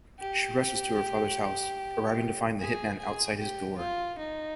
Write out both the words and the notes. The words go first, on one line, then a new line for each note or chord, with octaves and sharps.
She rushes to her father's house, arriving to find the hitman outside his door.
G4
G#4
G#4
G4
F4
D#4